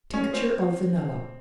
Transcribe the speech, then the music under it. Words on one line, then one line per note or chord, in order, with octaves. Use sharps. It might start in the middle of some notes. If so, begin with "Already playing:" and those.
Tincture of Vanilla.
C#4
C4